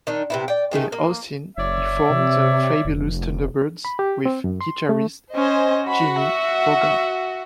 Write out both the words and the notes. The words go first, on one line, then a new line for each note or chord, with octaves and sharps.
In Austin he formed the Fabulous Thunderbirds with guitarist Jimmie Vaughan.
D#3 D4 D#4
C3 B3 E4
D5 G5
C3 D#3 G#3 A3
A#3
F#1 C#5 D5 E5
C3
F1
B5
G4
C4
F#2
C6
A3
C#4 C5 D#5 G#5
F#4 B5
E5